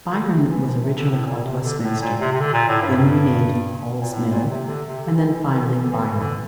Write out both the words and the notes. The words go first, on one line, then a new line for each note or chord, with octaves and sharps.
Byron was originally called Westminster, then renamed Hall's Mill, and then finally Byron.
D3
C3
E3
F3
C3
D3
A2
A#2
C3
D3
A2
A#2
C3
C3
D3
A#2
A2
G2
A#2
A2
A#2
C3
D3
C3
D3
E3
D3
E3
D3
E3
D3
E3
D3
E3
D3
E3
D3